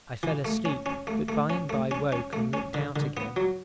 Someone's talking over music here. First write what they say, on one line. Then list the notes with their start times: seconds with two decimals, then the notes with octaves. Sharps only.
I fell asleep, but by and by woke and looked out again.
0.23 E3
0.45 A3
0.65 C#4
0.86 C#4
1.07 A3
1.29 A3
1.50 C#4
1.69 A3
1.91 C#4
2.12 C#4
2.33 A3
2.53 C#4
2.74 D3
2.96 D3
3.17 B3
3.36 F#3